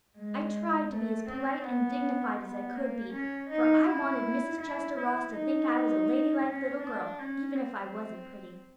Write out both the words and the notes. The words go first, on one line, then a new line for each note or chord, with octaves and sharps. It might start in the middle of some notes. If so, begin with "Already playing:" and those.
I tried to be as polite and dignified as I could be, for I wanted Mrs. Chester Ross to think I was a ladylike little girl even if I wasn't pretty.
G#3
A3
C4
B3
B3
A#3
C#4
D#4
E4
E4
E4
D#4
C#4
D4
C#4
C4